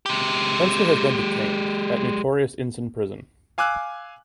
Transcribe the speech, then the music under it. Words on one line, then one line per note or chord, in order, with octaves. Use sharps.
Fenster has been detained at notorious Insein Prison.
G#3 G4
F5 G#5 D6 E6 F#6